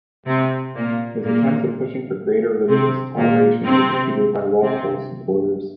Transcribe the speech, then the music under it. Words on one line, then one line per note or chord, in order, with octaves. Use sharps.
His attempts at pushing for greater religious toleration were defeated by Walpole's supporters.
C3 C4
A#2 A#3
A#2 A#3
C3 C4
A#2 A#3
C3 C4
C3 C4